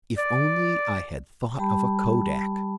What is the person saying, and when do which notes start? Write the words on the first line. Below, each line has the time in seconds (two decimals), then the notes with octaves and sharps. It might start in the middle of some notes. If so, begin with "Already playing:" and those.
If only I had thought of a Kodak!
0.18 D5
1.59 G3 G4 A5 B5